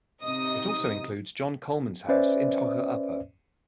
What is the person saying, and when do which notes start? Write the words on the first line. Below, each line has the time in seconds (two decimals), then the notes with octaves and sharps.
It also includes John Coleman's house in togher upper.
0.22 C3 D#4 D#5 D#6
2.09 C#4 B4 C5 D5 E5